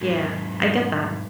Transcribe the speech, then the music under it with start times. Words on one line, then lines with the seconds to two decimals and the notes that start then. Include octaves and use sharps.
Yeah, I get that.
0.01 G#2 F#3